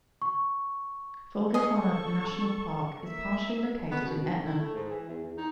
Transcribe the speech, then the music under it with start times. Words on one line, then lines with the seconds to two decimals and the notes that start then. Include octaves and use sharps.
Folgefonna National Park is partially located in Etne.
0.22 C#6
1.54 G#4 A4 D#5 C#6
3.07 A#3 E5
3.91 B3
4.05 B2
4.18 B2
4.32 D3
4.46 E4
4.59 A3
4.75 G#2
4.90 E3
5.08 E2
5.22 E2
5.37 D#4